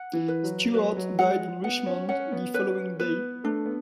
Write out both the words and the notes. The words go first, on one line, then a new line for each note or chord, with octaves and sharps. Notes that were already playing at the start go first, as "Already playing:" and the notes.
Stuart died in Richmond the following day.
Already playing: F#5
E3
B4
F#3
F#3 B4
F#3
G#3 F#5
B3 F#5
C#4
C#4 F#5
B3
C#4 B4
B3 B4
A3 D4
B3